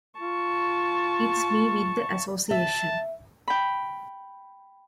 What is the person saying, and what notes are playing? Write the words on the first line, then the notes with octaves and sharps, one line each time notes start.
It's me with the association.
F4 A5 C#6
E5 A5
G5 B5